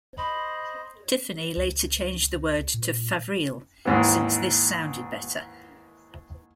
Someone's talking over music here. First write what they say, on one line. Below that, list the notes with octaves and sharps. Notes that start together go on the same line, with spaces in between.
Tiffany later changed the word to "Favrile" "since this sounded better".
C5 D#5 B5
C#2
A#2
D#2 G#2 E3